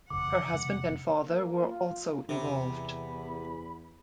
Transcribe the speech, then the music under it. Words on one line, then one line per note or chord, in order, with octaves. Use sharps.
Her husband and father were also involved.
E1 F2 C#3 F#5 D6
C3 G#3
A#3
F4
E2 C3 B5